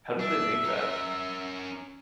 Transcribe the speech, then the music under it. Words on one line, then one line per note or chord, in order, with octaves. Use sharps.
How did they make that?
D4 E5
C#4 A#4